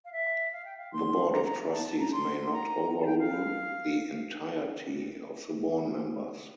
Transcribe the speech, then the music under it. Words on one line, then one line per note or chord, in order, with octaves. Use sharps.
The Board of Trustees may not overrule the entirety of the born members.
F5
E5
F5
G5
F5
C6
A#5
A#5
A5
A5
A#5
C6
A#5
A5
G5
F5